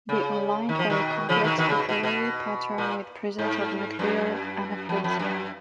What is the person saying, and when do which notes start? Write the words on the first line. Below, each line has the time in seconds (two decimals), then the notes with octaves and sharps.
They are lined by a complex papillary pattern with presence of nuclear anaplasia.
0.09 C#3
0.69 D#3
0.79 F3
0.90 B2 D#3
1.29 C#3 F3
1.44 B2 D#3
1.58 B2 D#3
1.69 C#3
1.79 B2
1.89 B2
2.03 B2
2.78 A#2
3.38 G#2
3.99 F#2
4.89 F2
5.04 F2
5.19 F#2